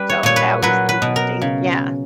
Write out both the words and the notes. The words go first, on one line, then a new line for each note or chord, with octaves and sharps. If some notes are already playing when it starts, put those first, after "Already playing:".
So that was interesting, yeah.
Already playing: G3 B4
C#5
A#2 C#5
B4
F#3 B4
B4
B2
A#4
C#3